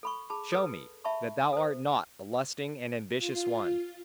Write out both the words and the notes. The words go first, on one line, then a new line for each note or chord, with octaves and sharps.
Show me that thou art not a lusting and ambitious one!
A4 B5 C#6
G#4 A5 B5
G#4 A4 B4
E5 A5 B5 C#6
A4 C5
F4